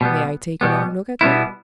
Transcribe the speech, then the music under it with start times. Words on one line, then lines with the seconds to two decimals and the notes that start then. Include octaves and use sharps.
"May I take a long look at you?"
0.01 B2 G3 B3
0.61 B2 G3 B3
1.21 B2 G3 B3 E4